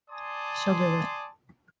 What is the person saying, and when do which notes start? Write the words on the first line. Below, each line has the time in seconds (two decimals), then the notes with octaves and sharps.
She'll do it.
0.10 D5 G#5 A5 C6 D#6